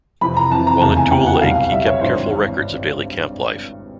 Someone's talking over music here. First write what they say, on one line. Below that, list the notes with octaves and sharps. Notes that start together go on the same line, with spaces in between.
While at Tule Lake, he kept careful records of daily camp life.
F2 C3 E3 B5
A#5
F2 C3 E3 A5
A#5
F1 E2 C#3 A5
G#5
F1 E2 C#3 G5
F#5
B1 B2 G3 F5
B1 B2 G3 E5
C#5
G#1 G2 E3 G3 C5